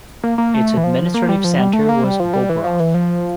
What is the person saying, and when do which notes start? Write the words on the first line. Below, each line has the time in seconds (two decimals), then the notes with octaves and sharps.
Its administrative centre was Bobrov.
0.24 A#3
0.38 A#3
0.54 A3
0.77 E3
0.84 F3
1.14 A#3
1.29 G3
1.44 F3
1.59 G3
1.73 A3
1.89 A#3
2.04 G3
2.20 F3
2.34 G3
2.49 E3
2.64 F3
2.80 E3
2.94 F3